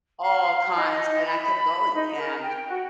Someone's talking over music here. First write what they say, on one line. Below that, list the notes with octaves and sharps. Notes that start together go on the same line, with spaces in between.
all kinds and I kept going and
F5
F5
D#4
B5
D#4
A#4
G5
F#4